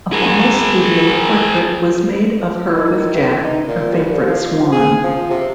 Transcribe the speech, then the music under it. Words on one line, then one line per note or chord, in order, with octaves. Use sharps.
A formal studio portrait was made of her with Jack, her favorite swan.
G#4 A#4
D#3
E3
D#4
A#2
C2
F3
G#4
F3
C3